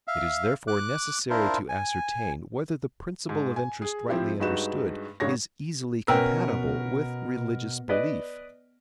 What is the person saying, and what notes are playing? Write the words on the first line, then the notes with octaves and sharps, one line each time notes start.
It is therefore necessary to ascertain whether the principle of interest rightly understood is easily compatible with religious belief.
E5 F5
D6 F#6
D4 E4 F4 A#4 C5
G#5
G#2
G#5
G#4
F3 C4 E4 F4 G4
G2 G#3 D#4 F#4 B4 E7
G#1 C#3 G#3 D4 C#5 A#6
B2 C#4 A#4 B4 G5 E6
B4 D5 D#5